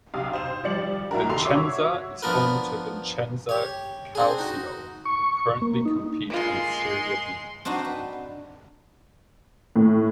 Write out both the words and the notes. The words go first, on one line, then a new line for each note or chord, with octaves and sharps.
Vicenza is home to Vicenza Calcio, who currently compete in Serie B.
B1 C3 F5 D#6
C5 E7
G#1 F3 G3 D5 C#7 F#7
B1 E4 F#4 A#4
D#2 C3 A4 C6 C7 F7
F#4 C#5 E5 C#6 D6 E6
F3 B3 D4 A#4 B4
G4 C#5
C4 D4 G#4
D#4 F#4
C#6
A#3
D#4
G#3 A#3 F4 C6
C4 D4 D#4 F#4
B4
A2